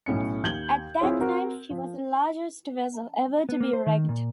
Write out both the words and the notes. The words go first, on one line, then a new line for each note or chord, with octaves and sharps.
At that time she was the largest vessel ever to be wrecked.
B1 A2 C#4 C#7
D#2 G6 G#6 F#7 G7
C4 E4 F4 G#4 C#5
C4 F#4 A#4
F3
B3
A#3
C5
D#3
A#2